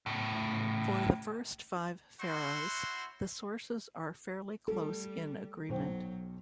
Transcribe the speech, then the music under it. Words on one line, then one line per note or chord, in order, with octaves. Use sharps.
For the first five pharaohs, the sources are fairly close in agreement.
A2 C#3
E4 F#4 C5 C#5 F#5 C6
G3 A4
B1 F#3 C5 G5